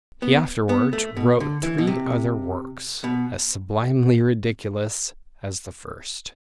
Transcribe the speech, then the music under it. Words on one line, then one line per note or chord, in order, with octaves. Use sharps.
He afterwards wrote three other works, as sublimely ridiculous as the first.
B3
B3
A3
B2
D3
E3
B2
C3
B2